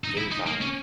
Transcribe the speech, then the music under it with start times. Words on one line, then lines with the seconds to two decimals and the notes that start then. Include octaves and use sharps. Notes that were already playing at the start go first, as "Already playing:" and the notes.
Gimme five.
0.04 D#4
0.18 E4
0.32 D#4
0.47 A#3
0.62 C#4